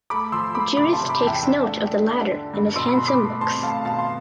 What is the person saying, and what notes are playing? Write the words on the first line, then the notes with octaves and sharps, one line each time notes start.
Judith takes note of the latter and his handsome looks.
A3 B5 D6
F3 C6 E6
A3 B5 D6
C3 B5 D6
A5 C6
C3
B5 D6
E2 A5
E5 G5
D4
A3
D4
D4
D3
G2
B2 C6 E6
B5
B2 C6
B5 D6
A3
C4 A5 C6
A3 F5 A5
B2 F5 A5
C6